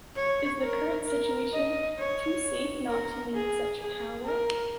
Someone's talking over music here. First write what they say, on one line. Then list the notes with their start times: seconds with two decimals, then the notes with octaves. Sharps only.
Is the current situation too safe not to need such power?
0.16 C#5
0.62 A#4
1.07 A#4
1.53 D#5
1.98 C#5
2.89 A#4
3.35 G#4
3.80 G#4
4.26 A#4